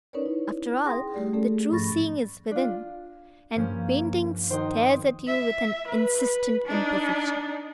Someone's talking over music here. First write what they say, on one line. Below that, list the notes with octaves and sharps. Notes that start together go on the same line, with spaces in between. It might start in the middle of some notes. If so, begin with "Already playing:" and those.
After all, the true seeing is within; and painting stares at you with an insistent imperfection.
C#4 D#4 A#4 B4 C#5 D5
E4
G#4 F#5 G5 C6 D#6 A#6
G3 A3 G4 D5
A3 C#4 G#4 A4 D5
G#2 F3 B5 C#6 A6 A#6
D4 F4
G2 F3 A#3 C#4
D#3 D#4 F#4 C5 G5 C6 D#6
E5
B4
D4 D#4